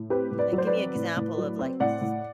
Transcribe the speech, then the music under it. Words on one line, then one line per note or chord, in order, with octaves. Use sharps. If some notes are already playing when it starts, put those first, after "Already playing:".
Like, give me an example of, like, s
Already playing: A2
C4 G4 B4
A2
B4 D5
F#3
C5
B4 D5
C4
A2
A2
F#3
C4
A2 D5 F#5
A2